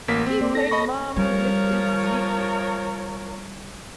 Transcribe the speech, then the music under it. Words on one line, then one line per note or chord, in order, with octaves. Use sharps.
He played Marmy with Ezekiel!
A1 A#3 B6
C4
A#3 C5 D5
A4 A#6
D#5 B5 C#6
F3 G3 A#4 C#5